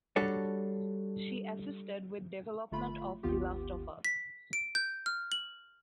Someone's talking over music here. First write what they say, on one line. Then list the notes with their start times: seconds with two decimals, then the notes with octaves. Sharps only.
She assisted with development of "The Last of Us".
0.16 G3 D4 F#4 A4 C#5
2.71 G1 A3 F4 B5
3.23 G#1 D#2 B3 F4 G4
4.05 B6
4.53 D7
4.75 G6
5.06 F6
5.32 F#7